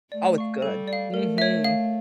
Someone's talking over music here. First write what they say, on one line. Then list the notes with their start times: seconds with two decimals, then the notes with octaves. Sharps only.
Oh, it's good. Mhm.
0.12 A3 D5
0.38 F5 C#6
0.62 G3 A4
0.88 D5
0.93 F5
1.13 A3 A#4
1.38 C#5 E5
1.64 F5